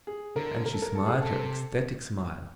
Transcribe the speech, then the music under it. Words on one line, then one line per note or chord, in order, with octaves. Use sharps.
And she smiled her ecstatic smile.
G#4
D3 A#4
A#4
A4
A#4
A4
G#4
C3 A4